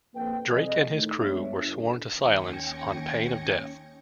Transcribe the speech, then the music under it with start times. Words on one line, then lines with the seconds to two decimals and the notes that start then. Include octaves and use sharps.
Drake and his crew were sworn to silence on pain of death.
0.15 A#1 F2 A#3 B4 G5
0.49 C2 F2 G#4 D#5
0.88 A2 D#3
1.19 G3 G#3 B3 D4 C#5 E5
1.57 G1
2.11 D#2 C#4 G5 G#6 A#6 C#7